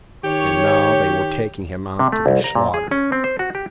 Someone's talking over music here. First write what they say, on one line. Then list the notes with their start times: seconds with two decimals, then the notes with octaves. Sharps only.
And now they were taking him out to be slaughtered.
0.24 D#3 G4 C#5
1.99 C3
2.12 A3
2.26 C2
2.44 A#5
2.55 A#2
2.74 G#4
2.91 C#4
3.12 C4
3.24 C5
3.39 F#4
3.55 G4